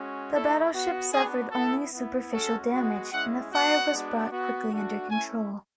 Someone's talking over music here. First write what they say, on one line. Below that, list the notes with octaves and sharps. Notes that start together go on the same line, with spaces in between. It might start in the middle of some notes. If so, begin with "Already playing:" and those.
The battleship suffered only superficial damage, and the fire was brought quickly under control.
Already playing: G#3 C#4 F#4
A3 E4 A4
B3 F#4
B3 D4 F#4 G#4
B3 E4 A4
B3 E4
G#3 C#4 F#4 A4
G#3 B3 F#4
G#3 C#4 E4 F#5
B3 F#4 F#5
G#3 B3 D4 F#4
B3 F#4
A3 D4 F#4
A3 C#4 E4 G#5